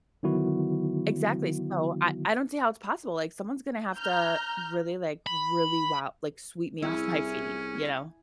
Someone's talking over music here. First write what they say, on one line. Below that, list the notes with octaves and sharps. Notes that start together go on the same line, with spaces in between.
Exactly, so I I don't see how it's possible, like someone's gonna have to really like, really wo like sweep me off my feet, you know?
D3 D#3 F#3 B3 E4 F#4
A#5 F6 G6
B5
C2 C#4 E4 G#4